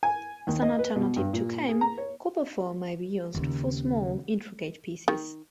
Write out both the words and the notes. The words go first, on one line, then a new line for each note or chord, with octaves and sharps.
As an alternative to came, copper foil may be used, for small, intricate pieces.
G#5
D#2
D#5
B4
B2
G2
A#2
G#4
A#5
C#5
D#2 C#3
D#3